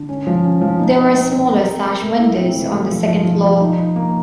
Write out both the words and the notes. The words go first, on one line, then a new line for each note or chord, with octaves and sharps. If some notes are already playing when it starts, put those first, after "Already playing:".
There were smaller sash windows on the second floor.
Already playing: D3
C#4
F3
C#4
F3
D#4
C4
C4
C4
A#4
A#4
A#4
A3
E4
C4
E3
A3
F3
F3
F3
F3
D#4
D#4
A#3